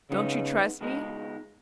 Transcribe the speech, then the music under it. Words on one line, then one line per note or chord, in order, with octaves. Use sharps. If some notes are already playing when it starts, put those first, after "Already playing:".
Don't you trust me?
G#2 C#3 G#3 B3 D#4
C#2 B2 G#3 D#4